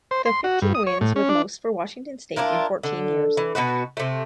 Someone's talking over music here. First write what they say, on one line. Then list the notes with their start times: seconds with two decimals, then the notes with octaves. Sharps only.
The fifteen wins were the most for Washington State in fourteen years.
0.11 C5
0.26 C6
0.44 F#4
0.62 G2
0.75 D#6
0.87 C#5
1.01 A2
1.16 C#4
1.29 D4
2.36 D4 E4 F4 A#4
2.83 D3
3.37 E3
3.55 B2 F3 F#4 B4
3.97 C3 A3